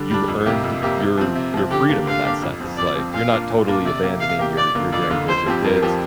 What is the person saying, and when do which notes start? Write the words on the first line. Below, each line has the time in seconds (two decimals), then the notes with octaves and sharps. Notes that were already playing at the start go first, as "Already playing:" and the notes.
you've earned your your freedom in that sense, like, you're not totally abandoning your your grandkids or kids,
Already playing: D3 G3 D4
0.10 G3 D4
0.28 F2
0.46 C3 A#3 G4
0.64 F2
0.82 C3 A#3 G4
1.00 C3
1.18 F3 C4
1.35 C3
1.54 F3 C4
1.71 D3 G4
1.89 A#3 D4 G4
2.07 D3 F5
2.24 A#3 D4 G4
2.42 F2
2.60 F3 C4
2.78 F2 D5
2.96 F3 C4
3.14 A#2 F5
3.32 A#3 D4 F4
3.50 A#2
3.68 A#3 D4 F4
3.85 C3 D5
4.03 A#3 G4
4.21 C3 F5
4.39 A#3 G4
4.57 F2 D5
4.75 D3 A#3 F4
4.92 F2 D5
5.10 D3 A#3 F4
5.28 F2 C5
5.46 F3 C4 G4
5.64 F2 A#4
5.83 F3 C4 G4